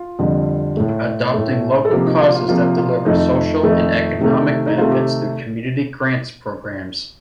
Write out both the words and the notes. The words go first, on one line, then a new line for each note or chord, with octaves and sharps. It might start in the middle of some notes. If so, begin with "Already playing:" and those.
Adopting local causes that deliver social and economic benefits through community grants programs.
Already playing: F4
F2 D3 G3
A2 A3
A2 A3
A4
C3 F3 A#3 G4
D#4
F4
F4
C3 F3 A#3 F4
F4
F2 D#3 A3 D#4
F2 D#3 A3
C3 D#3 A3
D#4
C3 D#3 A3 F4
G4